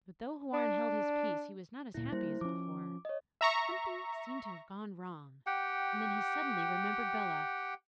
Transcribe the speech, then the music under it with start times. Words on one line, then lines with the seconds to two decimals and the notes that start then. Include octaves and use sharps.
But though Houarn held his peace, he was not as happy as before. Something seemed to have gone wrong, and then he suddenly remembered Bellah.
0.53 D4
1.94 D1 A#2 E4
2.12 G3 A#3 E4 C5
2.41 F3 C#4 D6
3.05 C#5 D#5
3.41 E5 A#5 C#6
5.46 G4 F#5 G5